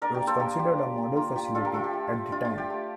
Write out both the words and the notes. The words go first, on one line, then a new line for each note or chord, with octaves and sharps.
It was considered a model facility at the time.
D4 A#4 D5
G4
A#3
A4 C5
A#3 G4 A#4
F4 G4
D4
A#3
A#3 F4
F4 G4
D4 F4 A4
G4 A#4
A3 F4 A4
G4
A3
F4
D4 F4
F4
A3
G4
A3